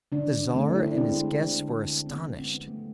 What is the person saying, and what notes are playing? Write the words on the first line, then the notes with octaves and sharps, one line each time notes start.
The Tsar and his guests were astonished.
D3 D4
A3 C4
E4
D4
G#3 C4
D3
D3
C4
B3
G#3
C4
A3